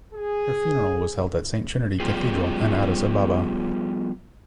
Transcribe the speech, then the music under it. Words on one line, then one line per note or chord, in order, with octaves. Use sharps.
Her funeral was held at Saint Trinity Cathedral in Addis Ababa.
G#4
F3 G3 B3 F4 G4 G#4